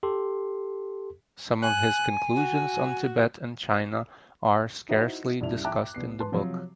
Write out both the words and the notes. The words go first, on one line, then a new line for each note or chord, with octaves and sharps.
Some of his conclusions on Tibet and China are scarcely discussed in the book.
G4 A4 C6
G#5 F#6
F#4
D#4 E4 F#4 C5 E5
C2 G2 C#3 E4 F7
E5 G5 A5 A#5 D6 F#6
C2 B3 C7
B4 A5 C6
C3 F3 F#3